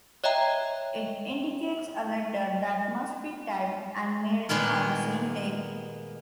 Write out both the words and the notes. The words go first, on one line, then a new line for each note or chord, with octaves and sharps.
It indicates a letter that must be typed and mailed on the same day.
C#5 D#5 E5 G5 A#5
A#2 D#3 G#3 B3 G#4